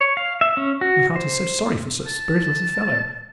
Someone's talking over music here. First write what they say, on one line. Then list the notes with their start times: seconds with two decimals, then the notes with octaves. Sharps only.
But my heart is sorry for so spiritless a fellow!
0.01 C#5
0.17 F5
0.41 E5
0.57 C#4
0.81 F#4
1.16 C5
2.08 A5